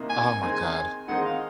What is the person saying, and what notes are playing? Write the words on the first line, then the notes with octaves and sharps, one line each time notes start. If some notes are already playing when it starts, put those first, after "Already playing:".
Oh my god.
Already playing: C3 D#3 A#3 D#4
G#5
D#3 G#3 C4 D#4 G#5
D#3 G#3 C4 D#4 F#5
F5